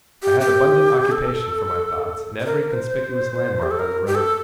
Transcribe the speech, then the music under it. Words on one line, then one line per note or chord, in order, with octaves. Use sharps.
I had abundant occupation for my thoughts, in every conspicuous landmark on the road.
G4
G4
A4
C5
A#4
C5
G4
A4
A#4
G4
A4